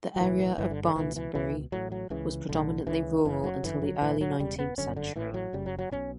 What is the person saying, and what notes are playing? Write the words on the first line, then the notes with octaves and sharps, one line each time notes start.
The area of Barnsbury was predominantly rural until the early nineteenth century.
F#3
B1 A2 E3
G1 G2 D3 E3
D3
D3
C#2 B2 E3
E3
C#2 B2 E3
A1 A2 F#3
F#3
C#2 C#3 E3
B1 A2 D3
C#2 C#3 E3
F#1 F#2 C#3 E3
F#3
G1 F#2 D3 E3
F#3
B1 A2 E3
F#3
E1 E2 C#3 G3
B3
G1 F#2 D3 C#4
D3
A1 A2 E3
F#3
F#1 F#2 C#3 G3
F#3
F#3
B1 B2 C#4